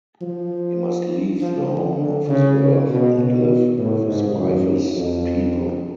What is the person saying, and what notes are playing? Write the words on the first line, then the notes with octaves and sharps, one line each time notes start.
He must leave the home of his birth and live with his wife's people.
F3
F3
D3
D3
C#3
C#3
B2
B2
A2
G#2
F#2
F2